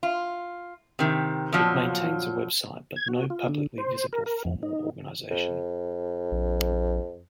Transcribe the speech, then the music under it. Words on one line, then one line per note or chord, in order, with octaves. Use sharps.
It maintains a website but no publicly visible formal organisation.
F4
C3 D#3
F2 A#2 F3 F#3
G#6
F#4
F4
D3
C5
A#4
A#4
F2
D#4
F2
A#1